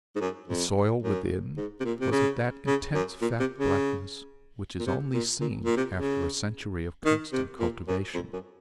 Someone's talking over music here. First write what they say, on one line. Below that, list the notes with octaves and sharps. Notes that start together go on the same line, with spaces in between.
The soil within was of that intense fat blackness which is only seen after a century of constant cultivation.
G#2
F#2
F2
F#2
G#2
C3
A#2
C3
C#3
C#3
F#2
A#2
C3
C#3
A#2
C3
A#2
A#2
A#2
C3
C#3
D#3
C3
A#2
F#2
F2
F#2